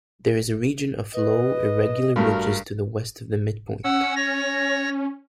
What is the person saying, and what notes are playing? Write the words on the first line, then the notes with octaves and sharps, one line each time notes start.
There is a region of low, irregular ridges to the west of the midpoint.
B4 D#5
G2 A3 F#4 A#4
C#4 F#5 E6
C#5 A#6